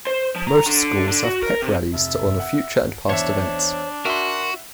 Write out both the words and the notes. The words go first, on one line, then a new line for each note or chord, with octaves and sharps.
Most schools have pep rallies to honor future and past events.
C5
F3
A#5
D3
D3
F#4
A#4
C3
F1 E5
F#5
E2 D4 C5 C#5 E5
F#4 A#4 E5 F#5 C6